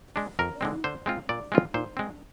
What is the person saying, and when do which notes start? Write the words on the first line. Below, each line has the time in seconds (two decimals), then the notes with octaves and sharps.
Pant mostly wrote in Sanskritized Hindi.
0.16 G#3 D4
0.39 F2 A#4
0.61 D3 G#3 C4
0.84 D3 C5
1.06 G#3 C4 F4
1.29 A#2 D5
1.52 G#3 C4 F4
1.74 A#2 C5
1.97 G#3 C4